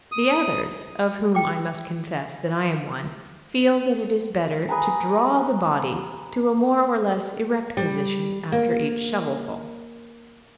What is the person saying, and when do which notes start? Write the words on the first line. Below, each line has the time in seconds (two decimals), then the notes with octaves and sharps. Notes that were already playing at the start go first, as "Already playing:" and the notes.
The others, of whom I must confess that I am one, feel that it is better to draw the body to a more or less erect position after each shovelful.
0.12 D#6
1.35 G5 D6
4.69 G#4 B4 G#5 A#5
7.77 G3
8.52 A#3